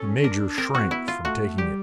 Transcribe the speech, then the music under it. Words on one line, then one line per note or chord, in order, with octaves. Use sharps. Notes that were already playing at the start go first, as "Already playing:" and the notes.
The Major shrank from taking it.
Already playing: C#4 A4
D4 A#4
C4 A#4
C4 F#4
B3 E4
F4
A3 F#4
G3 G4